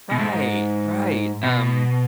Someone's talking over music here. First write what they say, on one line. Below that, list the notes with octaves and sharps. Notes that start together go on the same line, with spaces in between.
Right, right, um,
B2
G#2
B2